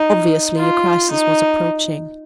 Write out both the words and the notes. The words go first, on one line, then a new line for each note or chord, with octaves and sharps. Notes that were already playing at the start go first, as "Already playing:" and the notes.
Obviously, a crisis was approaching.
Already playing: D#4
F4
D#4